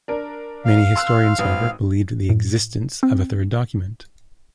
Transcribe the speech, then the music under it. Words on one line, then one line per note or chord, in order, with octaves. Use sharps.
Many historians, however, believed the existence of a third document.
D4 A#4
F5
C6 E6 F#6
G#1 B4 D#6
A2
C4